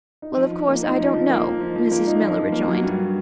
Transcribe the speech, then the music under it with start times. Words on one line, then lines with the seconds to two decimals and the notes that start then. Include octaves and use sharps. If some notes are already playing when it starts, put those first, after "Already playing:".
"Well, of course, I don't know," Mrs. Miller rejoined.
0.22 D#4
0.37 F3
0.53 F3
0.68 A#3
0.83 D#4
0.99 F3
1.14 F3
1.30 A#3
1.45 D#4
1.61 F3
1.76 F3
1.92 A#3
2.07 D#4
2.22 F3
2.37 F3
2.52 A#3
2.68 F#3
2.83 G2